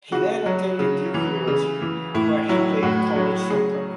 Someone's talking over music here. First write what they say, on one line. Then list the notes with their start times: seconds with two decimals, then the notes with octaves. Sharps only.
He then attended Duke University where he played college soccer.
0.12 C#3 F#4
0.46 F#3
0.79 C#3
1.14 E3
1.48 C#3
1.82 E3
2.14 A2 E4
2.49 F#3 E4
2.83 A2 F#4
3.16 F#3
3.50 C#3 G#4